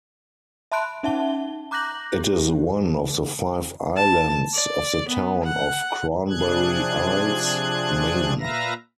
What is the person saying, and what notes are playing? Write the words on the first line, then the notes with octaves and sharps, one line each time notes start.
It is one of the five islands of the town of Cranberry Isles, Maine.
E5 A5 B5 C6 F#6 D7
C#4 D#4 E5 F#5 A5 G7
A#5 D6 F#6 G6 A#6 F#7
G4
A5
D5
B3
F#5
C3 F3 D4 G#4 F#6 G#6
A#2 B4 E5 F5 A#5 A#6